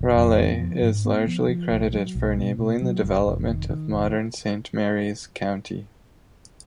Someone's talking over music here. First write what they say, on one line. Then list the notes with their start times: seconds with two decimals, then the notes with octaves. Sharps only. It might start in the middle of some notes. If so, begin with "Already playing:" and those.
Raley is largely credited for enabling the development of modern Saint Mary's County.
Already playing: F1
0.17 F2
0.38 B3
0.60 F3
0.82 G#2
1.05 B3
1.27 F3
1.49 F3
1.71 B1
1.93 F#3
2.15 B1
2.37 B2
2.59 B2
2.81 F#3
3.03 F1
3.26 F1
3.48 D#3
3.70 D#3
3.91 F1